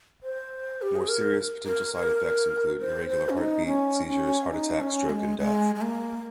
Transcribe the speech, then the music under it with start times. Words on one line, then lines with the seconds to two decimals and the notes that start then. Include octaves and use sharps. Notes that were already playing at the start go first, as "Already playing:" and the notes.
More serious potential side effects include irregular heartbeat, seizures, heart attack, stroke, and death.
0.23 C5
0.82 G4
0.96 G#4
1.09 A#4
1.66 A#4
1.94 A#4
2.81 C5
3.09 C5
3.29 C#4
3.37 D#4
3.66 C#4
4.09 C#4
4.52 D#4
4.81 C#4
5.09 G#3
5.39 G#3
5.75 G#3
5.81 A#3